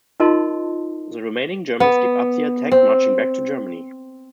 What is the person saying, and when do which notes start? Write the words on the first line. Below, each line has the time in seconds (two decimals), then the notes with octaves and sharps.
The remaining Germans give up the attack, marching back to Germany.
0.20 D#4 F4 A#4 D#5 A5 C6
1.80 B3
2.72 C4